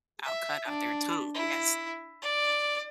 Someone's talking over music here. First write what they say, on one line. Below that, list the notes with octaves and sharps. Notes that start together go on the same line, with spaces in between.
"I'll cut out their tongue." Yes.
E5
D4
E4
D5